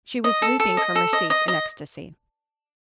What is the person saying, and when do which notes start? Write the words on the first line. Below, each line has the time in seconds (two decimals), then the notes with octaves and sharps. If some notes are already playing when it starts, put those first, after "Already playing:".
She was leaping from her seat in ecstasy.
0.24 D#5
0.42 A4
0.60 A4
0.77 D#5
0.95 A4
1.13 D#5
1.30 D#5
1.48 D#5